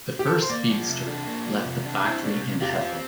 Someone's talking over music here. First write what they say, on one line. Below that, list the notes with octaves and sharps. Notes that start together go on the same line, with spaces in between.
The first Speedster left the factory in Hethel.
G4
A4
A#4
C5
A#3 D5
F3
C3
D4
A#3
F3
C3
D4
C4 E4
G3 D4
C3
F4 G4
C4